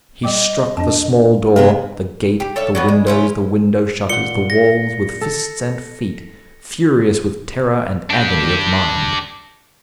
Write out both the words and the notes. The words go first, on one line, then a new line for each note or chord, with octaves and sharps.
He struck the small door, the gate, the windows, the window-shutters, the walls, with fists and feet, furious with terror and agony of mind.
G3 D#5 G5 D6
F2 D4 A5
C3 A3 B3 G#4
G4
A4 C#5 E5 F5
F#3 G3 B3
G#3
C#4 E4 F4
A#2 F#5 C#7 G7
A#6
A4
D4 G4